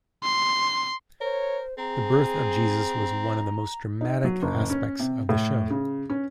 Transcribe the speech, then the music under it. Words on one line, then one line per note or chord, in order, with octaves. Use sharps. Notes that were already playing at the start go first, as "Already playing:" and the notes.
The birth of Jesus was one of the most dramatic aspects of the show.
C6
A#4 C5 C#5
C4 G#4 A#5
D#4
F#3
F#1
C#4
C3
A2
C#3
C#4